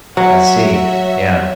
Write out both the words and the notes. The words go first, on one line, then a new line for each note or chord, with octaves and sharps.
I see. Yeah.
F#3 F#4 C#5 E5